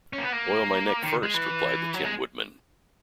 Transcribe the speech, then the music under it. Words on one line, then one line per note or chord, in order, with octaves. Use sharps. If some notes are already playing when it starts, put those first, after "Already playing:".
"Oil my neck, first," replied the Tin Woodman.
C#4
A#3
B3
A#3
D#3
G#3
E3
F#3
G#3